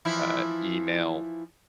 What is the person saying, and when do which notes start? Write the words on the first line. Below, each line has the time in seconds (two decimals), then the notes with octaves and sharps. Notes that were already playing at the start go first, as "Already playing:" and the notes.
uh, email,
0.05 E3 F3 E4